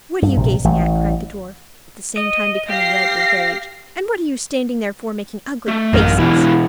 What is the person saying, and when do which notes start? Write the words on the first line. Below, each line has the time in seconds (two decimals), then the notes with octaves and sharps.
"What are you gazing at?" cried the dwarf, at the same time becoming red with rage; "and what are you standing there for, making ugly faces?"
0.22 G2
0.37 A#1 C3
0.64 A1 E3 A3
2.17 D#5
2.70 G4 F5 A#6 C7
5.68 A3
5.93 A1 F#2 A#4 D#5 F5
6.19 B2 E3 E4 F#4 G4